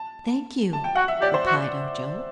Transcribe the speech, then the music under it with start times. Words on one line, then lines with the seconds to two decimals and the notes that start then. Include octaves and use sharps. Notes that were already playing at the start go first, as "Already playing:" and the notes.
"Thank you," replied Ojo.
Already playing: A5
0.73 A5
0.84 G5
0.95 F#4 F#5
1.08 E5
1.21 G4 D5
1.34 C5
1.47 F#4